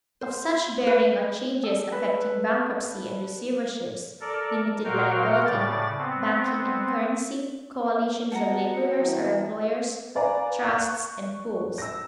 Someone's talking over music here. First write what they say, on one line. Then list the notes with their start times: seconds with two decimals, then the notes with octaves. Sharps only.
Of such bearing are changes affecting bankruptcy and receiverships, limited liability, banking and currency, coalitions of laborers or employers, trusts and pools.
0.21 C5
0.87 B4
1.63 A4
1.92 B4
4.21 A4 A#4 D5
4.85 A#2 F#4 A#4 F5 G5 F6
5.45 A2 C#3 D5 A6
5.98 B3 C4
8.32 B3 F#4 F#5 A5 A#5
8.96 E3 G3
10.15 B4 D5 F5 G#5 A#5
10.64 C#6 F#6
11.78 E6 A#6